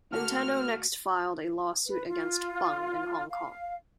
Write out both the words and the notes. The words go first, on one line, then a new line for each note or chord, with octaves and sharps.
Nintendo next filed a lawsuit against Bung in Hong Kong.
D3 A3 A#3 F#4 F6
B4
F4
F5